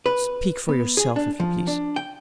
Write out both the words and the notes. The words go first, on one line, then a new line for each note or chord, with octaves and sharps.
Speak for yourself, if you please.
B4
B3
G#4
D4
F3
D4
G5